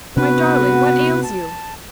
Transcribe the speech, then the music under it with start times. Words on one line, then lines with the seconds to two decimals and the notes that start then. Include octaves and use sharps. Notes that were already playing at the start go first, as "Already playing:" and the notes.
"My darling, what ails you?"
0.17 C3 B3 C4 D4 F#4 B4
1.24 A5